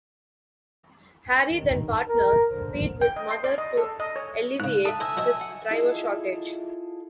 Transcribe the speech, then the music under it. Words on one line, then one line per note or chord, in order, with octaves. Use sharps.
Harry then partners Speed with Mother to alleviate his driver shortage.
G2 D#3
A#4
D3 C5
G5
D#5
C6
D5
D#5
A4
D#5
C#5
G#2 C#3 F#6
A4 E5 A5 D#6
C5 E5 G#5 A#5
F#3 C5 D#5
F#5
E4 F4 G#4 A4 D#5 E5